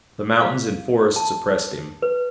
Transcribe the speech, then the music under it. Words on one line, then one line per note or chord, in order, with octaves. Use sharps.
The mountains and forests oppressed him.
F5
A5
B4